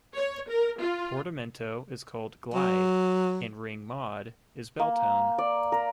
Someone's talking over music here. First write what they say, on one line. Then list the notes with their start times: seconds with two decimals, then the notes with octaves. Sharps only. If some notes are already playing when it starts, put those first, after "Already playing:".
Portamento is called "Glide" and Ring Mod is "Bell Tone".
0.15 C#5
0.49 A#4
0.80 F4
2.54 F#3
4.79 A#3
5.38 D5
5.72 A#4